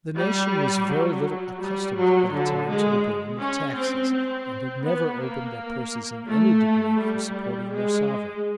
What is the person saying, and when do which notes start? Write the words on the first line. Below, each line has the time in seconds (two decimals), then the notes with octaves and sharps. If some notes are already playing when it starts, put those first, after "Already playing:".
The nation was very little accustomed at that time to the burden of taxes, and had never opened their purses in any degree for supporting their sovereign.
0.17 G3
0.89 F#3
1.60 G3
1.96 F#3
2.32 D3
2.68 G#3
3.39 C#4
3.75 C4
4.12 C4
4.84 B3
5.20 A#3
6.27 A3
6.99 G3
7.70 G#3